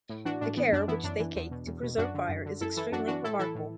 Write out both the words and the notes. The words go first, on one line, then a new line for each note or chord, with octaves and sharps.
The care which they cake to preserve fire is extremely remarkable.
A2
E3 D4 F#4
A2 D4
E3 B3
F#2 D4
E3 B3 E4
F#2 D4
E3
E2
B2
E2
B2
F#2 D4 F#4
D3
F#2
D3
F#2 E4 A4
E3 E4 A4
F#2 D4 F#4
E3 D4 F#4
A2 E4 A4
E3 E4 A4
A2